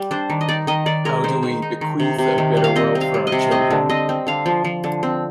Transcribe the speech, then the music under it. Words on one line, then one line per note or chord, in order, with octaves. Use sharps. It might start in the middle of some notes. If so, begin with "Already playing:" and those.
How do we bequeath a better world for our children?
Already playing: G3
D4 C5
D#3
D#5
D#4 D5
D#3 D#5
D#3 D5
G#3 A#4
D#3 C5
D#3
D#4
D#3
C3
C3
D#3
G3
F5
C4 D#5
C4
F5
G3
D#5
C3
C4 D#5
D3
C4 D#5
C4
D3 F5
F3
F3
D3
C4